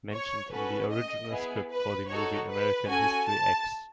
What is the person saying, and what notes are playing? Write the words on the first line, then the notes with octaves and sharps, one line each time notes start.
Mentioned in the original script for the movie American History X.
C#5
C#4 F#4 A4 B4
D#5
B3 E4 G#4
B4
D#4 F#4 A4 C#5
B4
C#4 F#4 A4 G#5
A5